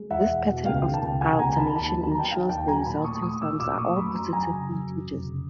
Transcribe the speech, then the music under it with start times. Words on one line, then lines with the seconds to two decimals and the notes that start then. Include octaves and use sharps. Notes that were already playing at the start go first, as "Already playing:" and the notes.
This pattern of alternation ensures the resulting sums are all positive integers.
Already playing: G#3
0.10 E2 E5 F#5
0.29 E1
0.47 B2
0.65 C#2 F5 G5
0.84 D#3
0.94 G5 A5
1.02 C#2
1.21 C3 F#5 G#5
1.39 C#2 G#5 A#5
1.53 A#5
1.58 D#3 A5 B5
1.76 D#2 A5 B5
1.94 F#3
2.03 A5
2.11 B3 A#5
2.19 G5 A5
2.31 D#3 F5 G5
2.49 D#2 G5 A5
2.68 F#3 G#5 A#5
2.86 A#2 A5 B5
3.04 A3 C#6 D#6
3.23 A#2 C#6 D#6
3.41 F3 D6 E6
3.60 A#2 D6 E6
3.78 A3 C#6 D#6
3.96 F#2 B5 C#6
4.15 F#3 A#5 C6
4.33 F#2 G#5 A#5
4.52 C#3
4.70 F#2
4.88 F#3
5.07 F1
5.25 C#3